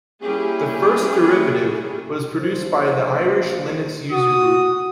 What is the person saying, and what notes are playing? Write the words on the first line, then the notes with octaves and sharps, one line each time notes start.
The first derivative was produced by the Irish Linux Users Group.
G3 A#3 C#4 E4 G4 G#4
A#1 F4 C5
F#4 D#6